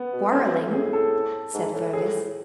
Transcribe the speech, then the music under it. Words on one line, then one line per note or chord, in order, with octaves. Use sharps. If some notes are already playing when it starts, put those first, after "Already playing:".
"Quarrelling," said Fergus.
Already playing: B3
B2
A2 C4
B2
A2
B2
A2 G#4
A4
G#2
A2
A2 G#4